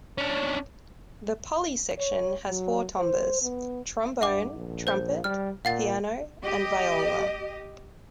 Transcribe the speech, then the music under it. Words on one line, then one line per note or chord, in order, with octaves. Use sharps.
The "poli" section has four timbres: Trombone, Trumpet, Piano, and Viola.
C#4 D4
C#5
F#3
C5
B3
G2 E5 F#5 D6
A#1
C5 G6
G3 F6
A#2 F5 F#5 A6
G4 D#5